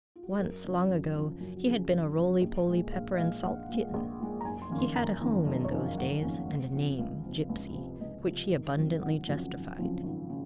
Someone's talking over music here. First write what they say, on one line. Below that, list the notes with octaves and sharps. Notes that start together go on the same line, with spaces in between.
Once, long ago, he had been a roly-poly pepper-and-salt kitten; he had a home in those days, and a name, "Gipsy," which he abundantly justified.
F4
F#4
G#4
F#2 A#4
C#3 F3
F#2
C#3 F3
F#2
F#4
C#3 F3 G#4
F#2
C#3 F3
A#1
A#2 G#3
A#1 F5
D#5
A#2 G#3 F5
A#1 F#5
A#2 G#3
A#1
A#2 G#3
A#5
F#1 G#5
C6
F2 D#3 A#3 C#4
C6
F#1 A#5
F2 D#3 A#3 C#4
F#1
C#5
F2 D#3 A#3 C#4 D#5
F5
F#1 F#5
F2 D#3 A#3 C#4
C#2
C3 F3 C4
C#2 F5
C3 F3 C4
C#2
C3 F3 C4
C#2 D#5
C3 F3 C4
G#1
F#2 C#3 F3 C4
G#1 F#5
F#2 C#3 F3 C4
G#1
F#2 C#3 F3 C4
G#1
C#3